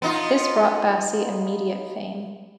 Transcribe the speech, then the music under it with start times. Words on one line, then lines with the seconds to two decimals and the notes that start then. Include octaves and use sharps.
This brought Bassi immediate fame.
0.02 B3 D#4 F4